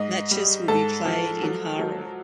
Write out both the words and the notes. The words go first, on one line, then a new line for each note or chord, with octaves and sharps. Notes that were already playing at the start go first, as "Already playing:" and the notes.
Matches will be played in Haro.
Already playing: G#2 D#5
G3
G#2 A4
F3
F#3
F#3